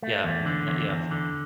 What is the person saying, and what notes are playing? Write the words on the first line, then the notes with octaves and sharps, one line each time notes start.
yeah, and that that yeah.
A3
E2
D3
E2
E2
D3